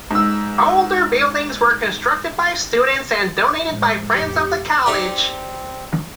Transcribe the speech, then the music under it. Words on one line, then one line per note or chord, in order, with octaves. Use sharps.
Older buildings were constructed by students and donated by friends of the College.
G#2 E6
A2 F3 G#3
F2 A2 G4 C#7
C4 D#4 G4 D5